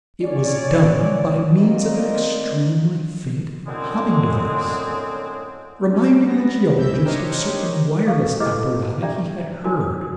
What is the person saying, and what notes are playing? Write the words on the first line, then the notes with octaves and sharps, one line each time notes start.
It was done by means of an extremely faint humming device, reminding the geologist of certain wireless apparata he had heard.
D#3 C#4 C#5 D5
D#3 A#3 C4 A#4 D5 D#5
F#2 A2 D3 G#3 C4
C#4 G4
B3 A#6
B1 F#2 E3 E5 E6 G6
D4 G4 A#4 C5 C#5 D#5
A4 F5 C#6
E4 G4 A4 B4 D#5 D6
D4 G4 D5 E5 G5 A#5
D#4 E4 F#4 A#4 G#5
D#6